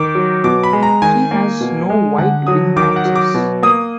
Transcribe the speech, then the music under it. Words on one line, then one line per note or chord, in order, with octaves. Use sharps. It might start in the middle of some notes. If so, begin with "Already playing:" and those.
She has no white wing patches.
Already playing: D#3 D6
F#3
B2 D6
B5
G#3
A#5
D#3 G#5
A#3
B2
G#3
D3 F#5
F#3 D#6
D#3 D6
F#5
F#3
D6
B2
A#3 D#6